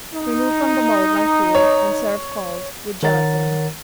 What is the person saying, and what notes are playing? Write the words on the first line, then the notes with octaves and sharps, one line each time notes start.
Remove from the mold when cool and serve cold, with gelatine.
D#4
C#5
D#3 A#4 C#5 F#5 A#5 A6